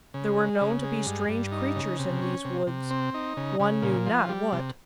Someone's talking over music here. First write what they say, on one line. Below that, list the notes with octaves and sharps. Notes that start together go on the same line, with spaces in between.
There were known to be strange creatures in these woods, one knew not what.
C#3
G#3
C#3
G#3
G2
G2
D#4
C#3
C3
C#4
C3
C3
C4
D#4
C#3
C#3
A#2
F3
G3
C3